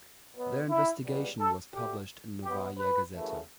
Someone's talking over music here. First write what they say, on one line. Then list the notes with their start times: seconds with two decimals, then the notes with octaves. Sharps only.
Their investigation was published in "Novaya Gazeta".
0.34 B2 F#3 B3
0.69 E4
1.04 C#2 C#3 G3 B3
1.39 A4
1.74 D2 D3 A3 G4
2.43 B2 F#3 B3 G4
2.78 B4
3.13 F#2 C#3 E3 A3